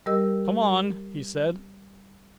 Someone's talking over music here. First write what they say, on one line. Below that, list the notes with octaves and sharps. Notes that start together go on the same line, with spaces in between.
"Come on!" he said.
G3 G4 A#4 D#5 E6